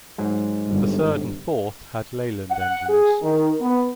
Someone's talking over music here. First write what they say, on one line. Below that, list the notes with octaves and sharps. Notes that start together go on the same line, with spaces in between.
The third and fourth had Leyland engines.
G#2 F#3 G#3
G1
F#5
G#4
D#3
B3